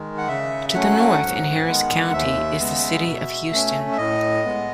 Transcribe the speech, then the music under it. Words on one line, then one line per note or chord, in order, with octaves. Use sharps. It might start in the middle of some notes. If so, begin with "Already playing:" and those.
To the north in Harris County is the city of Houston.
Already playing: D#3 G#3
F#5
C#3 E5
E5
F#3 A3 C#4 F#5
G#2
D#3 G#3 B3
F#5
D#2 E5
C#3 G#3 B3
B2
A3 C#4
E5
A2 D#5
G#3 B3